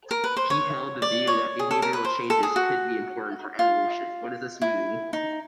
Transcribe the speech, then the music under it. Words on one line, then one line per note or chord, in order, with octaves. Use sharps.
He held the view that behavioral changes can be important for evolution.
A#4
B4
C5
C#5
D5
C#5
G#4
A4
A#4
B4
C5
A4
G#4
F#4
F4
E4
D#4